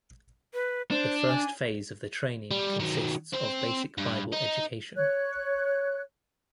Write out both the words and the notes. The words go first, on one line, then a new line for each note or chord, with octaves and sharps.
The first phase of the training consists of basic Bible education.
B4
D4 C5
G#5
G3
D#3 F#3
C4 C5
G2
D#4
C#5 F#6